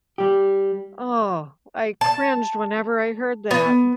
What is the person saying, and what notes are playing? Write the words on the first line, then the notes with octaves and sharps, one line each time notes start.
Oh, I cringed whenever I heard that.
G3 G4
A5
B3